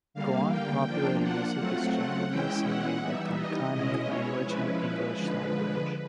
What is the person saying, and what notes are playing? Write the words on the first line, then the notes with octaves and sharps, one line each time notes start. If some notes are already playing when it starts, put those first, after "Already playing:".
Goan popular music is generally sung in the Konkani language and English language.
D3 G3 A#3 F5
G5
F3 A#3 D4 F4
F#5
F#3 A3 C4 F4 F#5
E3 G#3 C#4 E4 G5
F#5
E3 G3 B3 D#4 E5
D#5
B2 G#3 C#4 E4 D#5
C#5
F3 G#3 C#4 E4 B4
D3 F3 G#3 B4